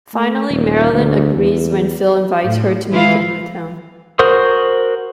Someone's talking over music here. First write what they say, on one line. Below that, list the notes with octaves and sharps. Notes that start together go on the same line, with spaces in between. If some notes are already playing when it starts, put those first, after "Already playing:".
Finally, Marilyn agrees when Phil invites her to move in with him.
A3
D#1
D2
E2
A2
E3 G#3 E4 F4 F5
F#4 A#4 C5 D#6